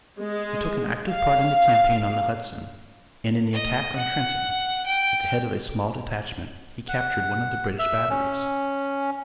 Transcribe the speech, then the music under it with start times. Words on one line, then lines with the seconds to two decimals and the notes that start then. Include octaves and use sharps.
He took an active part in the campaign on the Hudson, and in the attack on Trenton, at the head of a small detachment, he captured one of the British batteries.
0.20 G#3
1.11 F5
3.53 D#5
3.96 F#5
4.86 G5
6.88 F#5
7.79 E5
8.10 C#4